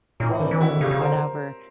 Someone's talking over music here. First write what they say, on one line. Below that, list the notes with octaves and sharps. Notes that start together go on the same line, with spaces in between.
woes or whatever.
A#2 C#4 D#4
A2
D#3 C4 D4
E3
D#3 E4 F#4
D3
C#3 F4 G4
C#3
D3 A#4 C5